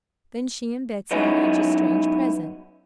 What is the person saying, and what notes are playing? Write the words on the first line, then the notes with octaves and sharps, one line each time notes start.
Then she and Betsey had each a strange present.
F#3 G#3 B3 C#4 D#4 E4